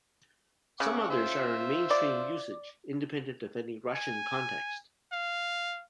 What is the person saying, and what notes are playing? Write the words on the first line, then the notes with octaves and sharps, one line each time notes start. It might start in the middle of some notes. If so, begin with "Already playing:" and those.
Some others are in mainstream usage, independent of any Russian context.
C#3 F#5 C#6 D6
F4 C5 E5
D5
G#5
F5